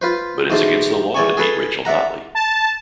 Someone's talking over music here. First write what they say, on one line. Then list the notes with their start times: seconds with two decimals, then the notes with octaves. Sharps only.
But it's against the law to beat Rachel Notley.
0.02 F4 B4 C5
0.50 B1 E2 C5 A5
1.15 E2 C#5 D5 G#5 C#6
1.37 G#4 A4 B4 A5
1.85 D5 E5 F#5 A#5
2.35 A5